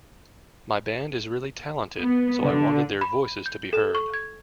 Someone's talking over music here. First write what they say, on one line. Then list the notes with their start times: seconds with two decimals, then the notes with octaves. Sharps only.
My band is really talented, so I wanted their voices to be heard.
1.99 B3
2.46 D3
3.01 B5
3.46 G6
3.73 A4
3.95 C#6
4.14 G#6